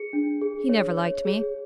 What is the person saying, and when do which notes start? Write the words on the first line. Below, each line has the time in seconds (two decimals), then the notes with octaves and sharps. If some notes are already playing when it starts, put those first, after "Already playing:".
He never liked me.
Already playing: G#4 C#7
0.13 D4
0.42 G#4
0.69 C#5
0.97 C#5
1.25 G#4